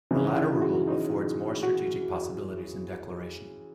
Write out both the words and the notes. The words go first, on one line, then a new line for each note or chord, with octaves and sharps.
The latter rule affords more strategic possibilities in declaration.
C#3 E3 G#3 D#4
E4
F#4
D#4
F#4